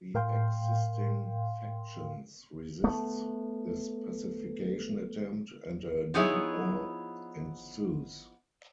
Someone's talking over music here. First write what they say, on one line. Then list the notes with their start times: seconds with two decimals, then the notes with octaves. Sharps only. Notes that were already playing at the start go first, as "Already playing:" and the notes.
The existing factions resist this pacification attempt, and a new war ensues.
0.14 A2 A#4 F5 G5 C6
2.84 A3 B3
6.14 F3 B3 D#4 E4 G#4 C#5